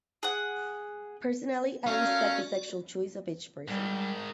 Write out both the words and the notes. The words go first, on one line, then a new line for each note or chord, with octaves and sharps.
Personally, I respect the sexual choice of each person.
G#4 F#5
A3 C#4 F#4 A#4 D5 F5
G#2 D#3 G3